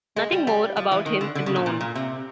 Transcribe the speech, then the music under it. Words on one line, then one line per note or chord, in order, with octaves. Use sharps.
Nothing more about him is known.
G#3
G3
G3
F3
E3
D#3
D3
D3
C#3
A#2
A#2
A#2
C3